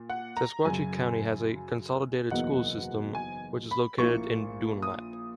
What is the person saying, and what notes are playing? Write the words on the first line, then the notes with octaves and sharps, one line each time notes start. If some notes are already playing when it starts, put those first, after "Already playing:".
Sequatchie County has a consolidated school system which is located in Dunlap.
Already playing: A#2
F#5
A#5
F#2 C#3 F#3 G#5
F#1 E2 B2 A#3 D#4 F#5
G#5
B5
A#1 A#2 A#3 E4 C#6
D#6